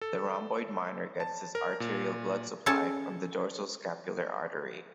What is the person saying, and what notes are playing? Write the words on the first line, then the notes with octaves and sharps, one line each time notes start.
The rhomboid minor gets its arterial blood supply from the dorsal scapular artery.
A4
A5
A#4
A#2
C#4 A4 A5